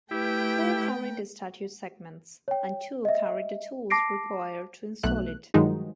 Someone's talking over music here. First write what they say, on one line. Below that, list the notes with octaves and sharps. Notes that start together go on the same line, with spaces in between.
Four carried the statue segments, and two carried the tools required to install it.
A3 E4 G4 B4 G5
C#5 G5
D#5 E5
A5 D6 A#6 C7 D7
B1 B2 A3 F#6
G2 D#3 F3 F#3 G#3 D#4